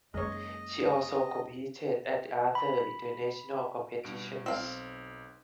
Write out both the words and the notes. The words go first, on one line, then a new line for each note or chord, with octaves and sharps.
She also competed at other international competitions.
F#2 G#3 A#3 C#5 D#5
B5
G2 B2 D7
B1 C4 F5